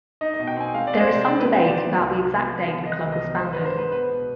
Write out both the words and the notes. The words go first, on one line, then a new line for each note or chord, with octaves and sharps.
There is some debate about the exact date the club was founded.
D#4 D#5
D#5
B2
G5
C4 G#5
G#3 F5
G#3 D5
C5
C3 D5
D#4 D5
B4
B3
C5
D#4 D5
B3
C2
C3
B3
F3
B3
F3 D#5
C2
D#5
B3
G#2 C5
B4
D4
C5
G#3 B4
B3 B4
B2